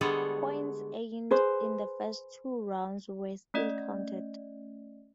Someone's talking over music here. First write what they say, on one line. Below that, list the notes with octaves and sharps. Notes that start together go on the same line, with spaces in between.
Points earned in the first two rounds were still counted.
D3 G3 G#3 B3 A4 C#5
G#4 B4 C5
A3 C#4 D5 D#5